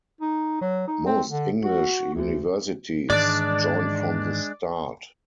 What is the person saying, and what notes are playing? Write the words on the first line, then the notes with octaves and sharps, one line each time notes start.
Most English universities joined from the start.
D#4
F#3
D#4
C4
D3
F#4
D2
G#2 D#3 E3 G#3 D4 D5